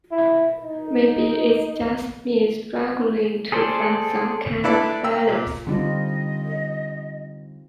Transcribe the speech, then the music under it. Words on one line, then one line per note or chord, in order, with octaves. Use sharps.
Maybe it's just me struggling to find some kind of balance.
E4
D#4
G#4 A4 C5 D5
D4 E4 A4 B4 D5
G5 E6
A#2
D3 G3 C4 D#4 F4 D#5